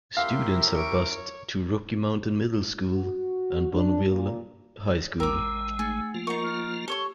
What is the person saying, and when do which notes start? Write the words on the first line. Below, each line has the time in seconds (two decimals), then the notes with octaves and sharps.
Students are bussed to Rocky Mountain Middle School, and Bonneville High School.
0.17 C#4 E4 G4 A#4 E5 F5 C6
0.75 C#6 D7
1.13 C#5
2.90 F#4
3.72 D4
4.11 A#2
5.20 A1 G#3 A#4 G5 D6 E6
5.79 A3 G#4 A6 C#7
6.14 F3 A#3 F4
6.27 D#4 A#4 F#5 C#6
6.44 F6
6.88 G4 A4 C#5 C#6 G7